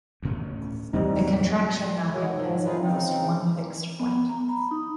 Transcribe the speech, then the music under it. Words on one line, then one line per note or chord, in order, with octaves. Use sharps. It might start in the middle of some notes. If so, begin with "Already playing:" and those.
A contraction mapping has at most one fixed point.
D2 A2 C#4
E2 A2 E3 G3 C4 D#4
F#3
G#3 F#4 G#4 A#4 C#5 G#5
G#2 D#3 F3 F#3
E3 F3 D#4 F4 G#4 B4
C#3 C4 D#4
B3
A#5
B5
D#4